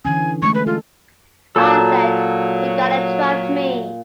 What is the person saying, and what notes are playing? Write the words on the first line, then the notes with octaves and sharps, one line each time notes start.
I said, You gotta trust me.
D3 E3 C#4 G#5
G#3 A3 C#6
B4
F4 A4
A#2 F#3 A4 A5